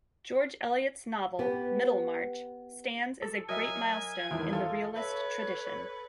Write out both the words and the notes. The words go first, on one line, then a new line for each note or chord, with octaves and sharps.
George Eliot's novel "Middlemarch" stands as a great milestone in the realist tradition.
B3 G4
A4
F#3 A#4 D#5 E5 G#5
E2 A2 D#3 F4
F4 A4
B4 C#5 E5